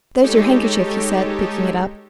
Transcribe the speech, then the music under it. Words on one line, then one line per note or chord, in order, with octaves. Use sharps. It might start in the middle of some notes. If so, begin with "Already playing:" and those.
"There's your handkerchief," he said, picking it up.
G#3 D#4 G4 A4 C#5